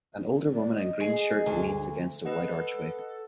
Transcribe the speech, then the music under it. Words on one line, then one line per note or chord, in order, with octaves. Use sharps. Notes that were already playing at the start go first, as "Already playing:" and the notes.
An older woman in a green shirt leans against a white archway.
D5
D#5
G#4
D2
A4 B4 D#5 F#5